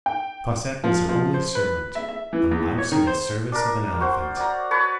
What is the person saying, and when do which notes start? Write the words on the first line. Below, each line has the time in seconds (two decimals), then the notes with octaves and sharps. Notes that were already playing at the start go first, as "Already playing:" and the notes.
Cosette was her only servant; a mouse in the service of an elephant.
0.06 G5
0.84 F3
1.09 F3
1.34 C5
1.55 B4
1.95 E5
2.09 E5
2.33 E3
2.51 E2
2.78 C#5
2.92 D#3
3.07 C5
3.52 D4 A#4
4.00 F#4 C5
4.37 D5 A#5
4.71 B4 C#5 A5